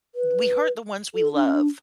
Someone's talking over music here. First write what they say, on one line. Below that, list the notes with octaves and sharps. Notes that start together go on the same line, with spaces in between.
we hurt the ones we love,
B4
A4
D4
C#4
D4